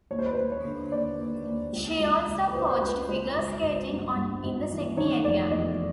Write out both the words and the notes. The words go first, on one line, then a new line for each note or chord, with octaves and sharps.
She also coached figure skating in the Sydney area.
D#2 C#5
C5
B4
D#2 C5
C#5
D3
D#2 D5
D#2
D#2
C#2
C#2
C#2
B4
C#2 C5
C5
C#2 B4
C#2 C5
G#1
G#1
G2
G2
G#1
E3
D#3 C#5
F1 D5
E2 D#5